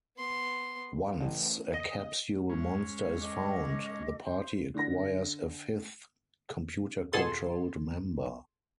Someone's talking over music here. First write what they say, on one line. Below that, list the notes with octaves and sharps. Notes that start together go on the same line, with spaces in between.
Once a Capsule monster is found, the party acquires a fifth, computer controlled member.
B3 C6
A1
D#5
G#2 C#4
A4 D#5 D6
C5
D3 A#6
F2 B2 G#4 A4 C6